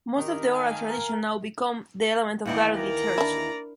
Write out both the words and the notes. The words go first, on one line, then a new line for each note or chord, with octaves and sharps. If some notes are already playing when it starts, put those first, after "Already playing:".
Most of the oral tradition now become the element of Garo literature.
D#3 G4 A#4
F5 G#5 A5
A#4
D#2 E3 C4 D#4 D5 F#5
A#4 D5 A#5
D4 E4